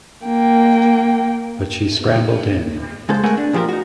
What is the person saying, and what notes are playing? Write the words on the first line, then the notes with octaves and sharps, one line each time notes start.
But she scrambled in.
A#3 G5
C#3 G#3 A4 C5
G#3 A3 A#4 F#5 G#5
D4
A#2 F3 G4 G#4 A#4
D#4 F#4